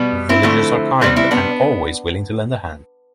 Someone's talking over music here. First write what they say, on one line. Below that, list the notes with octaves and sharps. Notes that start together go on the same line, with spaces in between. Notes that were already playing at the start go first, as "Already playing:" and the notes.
Villagers are kind and always willing to lend a hand.
Already playing: B2 G3 B3
C4 E4
D3 F3 A3
C3 G3 B3 C4 E4
C4 E4
B3 D4